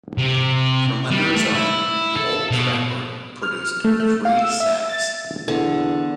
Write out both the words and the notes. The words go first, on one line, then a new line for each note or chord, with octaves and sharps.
From under his arm the old trapper produced three sacks.
C3
G3
A3
E4
A4
B2
F6
A3
A3
F5
E6
E5
A6
E2 D3